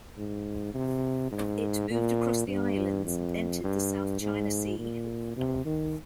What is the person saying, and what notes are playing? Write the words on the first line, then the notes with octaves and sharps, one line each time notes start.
It moved across the islands and entered the South China Sea.
G#2
C3
G#2
A#2
G2
F2
G2
G#2
A#2
C3
D#3